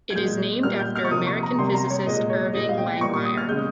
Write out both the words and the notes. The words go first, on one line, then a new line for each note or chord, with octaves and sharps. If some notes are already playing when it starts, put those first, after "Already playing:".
It is named after American physicist Irving Langmuir.
G#6
A#2 G#3 G6
A#2 G3 A#3 F6
G6
F6
C#6
C3 F3 A#3 D#6
C#6
A#5
C3 G3 A#3 C6
A#5
C#5
A#2 G#3 D#5
C#5
A#2 G#3 D#5
F5
G5
A#2 G3 A#3 C#6
C#6
D#6
F6
C#3 G#3 G6